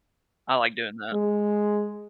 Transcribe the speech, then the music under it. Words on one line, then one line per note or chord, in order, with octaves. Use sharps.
I like doing that.
G#3